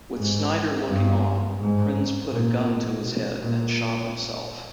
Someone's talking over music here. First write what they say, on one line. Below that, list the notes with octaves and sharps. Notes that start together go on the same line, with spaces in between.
With Snyder looking on, Prinze put a gun to his head and shot himself.
G#2
G2
G#2
A#2
B2
A#2